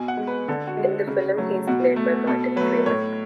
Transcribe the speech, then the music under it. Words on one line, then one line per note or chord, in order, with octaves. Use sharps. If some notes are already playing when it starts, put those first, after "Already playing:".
In the film he is played by Martin Freeman.
Already playing: B2 G#5
F#5
G#3
B4
D3 A4
F#4
G#3
C#3
F#3 A3
B2 F#4
A3
B2 A4
F#3 A3 B4
A2 C#5